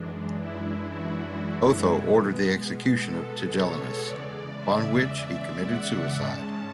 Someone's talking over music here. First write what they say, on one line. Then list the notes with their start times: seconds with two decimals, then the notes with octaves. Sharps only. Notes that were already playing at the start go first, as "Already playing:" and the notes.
Otho ordered the execution of Tigellinus, upon which he committed suicide.
Already playing: F#2 E3 G#3 D4
0.41 E4
0.93 F#4
1.97 B2 G#3 B3
3.02 A4
3.53 C#5
4.06 E2 C#3 G#3 D5
4.58 E5
5.63 F#5
6.15 G#2 G#3 C#4 A5